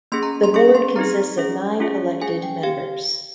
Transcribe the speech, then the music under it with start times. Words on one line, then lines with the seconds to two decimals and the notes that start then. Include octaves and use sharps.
The board consists of nine elected members.
0.12 A#3 C#4 G#4 C6
0.23 A#5
0.44 C6
0.54 C#4 G#4 C#6
0.75 C6
0.96 C4 D#4 G#4 A#5
1.38 C#4 G#4
1.80 C#4 F4 G#4
2.21 C#4 G#4 G#5
2.43 G5
2.63 G4 F5